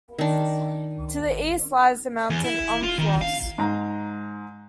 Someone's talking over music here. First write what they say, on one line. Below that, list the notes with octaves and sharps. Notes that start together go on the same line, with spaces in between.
To the east lies the mountain Omplos.
D#3 D4
E2
E4
F4
D#3
F5
G#2 A#5